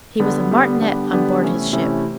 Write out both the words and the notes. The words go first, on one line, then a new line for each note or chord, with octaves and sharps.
He was a Martinet on board his ship.
D3 G3 B3
D3 G3 B3
D3 G3 B3 D4 G4
D3 G3 B3 D4 G4
C3 E3 A3 C#4 E4
C3 E3 A3 C#4 E4